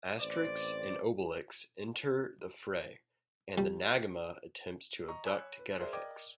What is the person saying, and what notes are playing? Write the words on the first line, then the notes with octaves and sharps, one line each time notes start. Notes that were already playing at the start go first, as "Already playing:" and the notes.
Asterix and Obelix enter the fray, and the Nagma attempts to abduct Getafix.
A1 C4 B4 C5 D5
G3
D#5 A#5 C#6
C#5 G#5 B5 E6 F#6
B4
G#4 A#4 C5 D5 E5
A#4 D5 D#5 G5 D6 G#6